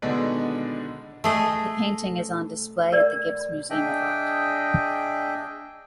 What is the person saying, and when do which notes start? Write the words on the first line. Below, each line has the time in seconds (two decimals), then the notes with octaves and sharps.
The painting is on display at the Gibbes Museum of Art.
0.02 B2 D3 D#3 G#3 B3 D4
1.24 A3 G#4 D#5
2.92 A#4 C#5 D5
3.70 D4 G#4 D#5 E5 G5